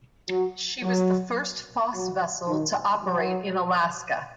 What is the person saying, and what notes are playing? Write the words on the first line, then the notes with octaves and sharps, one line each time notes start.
She was the first Foss vessel to operate in Alaska.
F#3
F#3
F#3
D#3
F#3